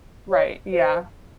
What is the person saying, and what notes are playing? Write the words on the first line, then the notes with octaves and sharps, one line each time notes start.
Right, yeah.
C#5
C5